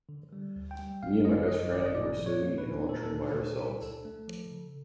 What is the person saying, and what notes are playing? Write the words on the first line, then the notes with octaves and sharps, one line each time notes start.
Me and my best friend were sitting in the lunchroom by ourselves.
D3
G3
D2
G5
G3
G#1 F5
F#2 D#5
F#2 D#5
G#1 D5
D#5
A#2 D5
F3
C#5
A#3
B4
A#2
A#2 A4
A#4
A4
A#2
A#2
D4
C#2 A4
A3
F3
C#3